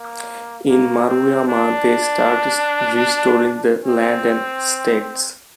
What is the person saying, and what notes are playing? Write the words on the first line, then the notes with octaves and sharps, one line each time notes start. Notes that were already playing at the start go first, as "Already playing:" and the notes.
In Maruyama, they start restoring the land and estates.
Already playing: A#3
A#3
C4
D4
C4